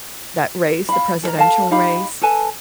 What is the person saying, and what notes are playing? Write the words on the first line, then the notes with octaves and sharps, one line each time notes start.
that race the presidential race
F5 B5
A4 A#4 E5 A#5
A4 F5 A5
D#4 G4 F5 B5
A4 B4 G#5 A5